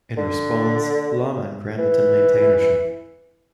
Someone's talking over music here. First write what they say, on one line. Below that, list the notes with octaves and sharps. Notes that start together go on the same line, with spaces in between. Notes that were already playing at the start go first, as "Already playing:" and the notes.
In response, Laumann granted him maintainership.
D3
E3